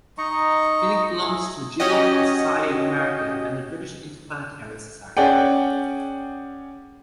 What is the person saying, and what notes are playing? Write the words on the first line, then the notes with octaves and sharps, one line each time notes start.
Fincke belongs to the Geological Society of America and the British Interplanetary Society.
D#4 D#5 A#5 C#6
E4 G#4
C#4 F#4 G4 D#5
C#4 G#4 D5 F#5 G5